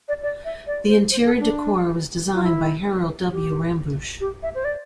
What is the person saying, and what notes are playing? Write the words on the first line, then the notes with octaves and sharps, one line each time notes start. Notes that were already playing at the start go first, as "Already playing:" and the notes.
The interior decor was designed by Harold W. Rambusch.
D5
D5
E5
D5
C5
C5
A4
D4
F4
E4
G4
G4
E5
C5
D5